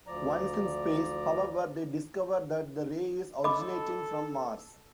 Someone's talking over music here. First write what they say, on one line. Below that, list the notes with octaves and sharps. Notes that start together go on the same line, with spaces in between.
Once in space, however, they discover that the ray is originating from Mars.
D2 F3 D5 A#5
A4 D#5 B5 D6